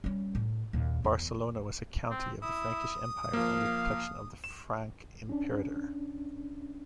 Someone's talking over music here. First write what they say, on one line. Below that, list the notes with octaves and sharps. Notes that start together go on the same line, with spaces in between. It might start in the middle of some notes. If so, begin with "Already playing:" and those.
Barcelona was a County of the Frankish Empire, under protection of the Franc Imperator.
G3 C#4
A2
D#2 A#2
E2
C4
E4 D#6
F3 A#3 F5
E7
C#4 D4